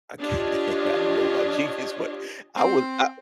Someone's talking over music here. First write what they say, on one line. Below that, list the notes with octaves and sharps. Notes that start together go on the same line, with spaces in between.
Okay, I don't know about genius, but I would I
D4 F4 G4 C#5 D#5
C4